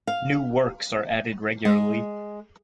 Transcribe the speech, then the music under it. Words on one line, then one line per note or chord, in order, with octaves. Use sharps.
New works are added regularly.
F5
G#3